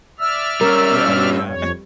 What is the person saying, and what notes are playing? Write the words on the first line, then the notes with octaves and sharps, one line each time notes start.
Yeah, yeah,
D5 E5 E6 F6
G3 C#4 A#4
G2
F2 C#5